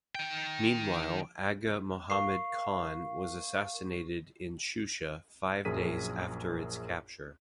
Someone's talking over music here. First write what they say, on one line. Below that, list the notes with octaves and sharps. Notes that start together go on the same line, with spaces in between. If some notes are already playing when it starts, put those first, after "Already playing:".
Meanwhile Agha Mohammad Khan was assassinated in Shusha five days after its capture.
D#3 G5
A#4 F5 C#6 C7
A#1 F#2 G#4 A#4 B6 D#7